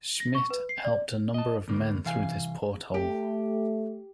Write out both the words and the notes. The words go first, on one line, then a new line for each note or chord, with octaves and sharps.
Schmitt helped a number of men through this porthole.
A#6
C#6
B4
C7
D5
D#5 A5
D2 A2 A#3
C2 E3 F5 G#5
A3 G4